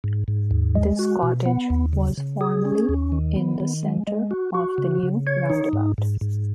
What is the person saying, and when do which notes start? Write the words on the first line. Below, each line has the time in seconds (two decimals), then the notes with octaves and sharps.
This cottage was formally in the centre of the new roundabout.
0.04 G#2
0.28 G#2
0.51 D#2
0.75 G#3
0.99 F#4
1.23 B2
1.46 B3
1.70 D#2
1.93 C#3
2.18 C#3
2.41 G#4
2.65 C#4
2.89 D#2
3.12 D#3
3.36 B3
3.60 D#3
3.83 G#3
4.07 G#3
4.31 F#4
4.54 F#4
4.78 C#3
5.03 C#3
5.27 C#5
5.50 D#4
5.73 G#2
5.98 G#2
6.21 G#2